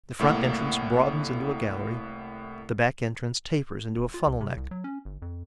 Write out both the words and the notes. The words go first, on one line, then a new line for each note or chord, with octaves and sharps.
The front-entrance broadens into a gallery; the back-entrance tapers into a funnel-neck.
C2 A2 A#3 F#5
D#1
F4
C2
C3
C2
F#3
C#4
G1
F2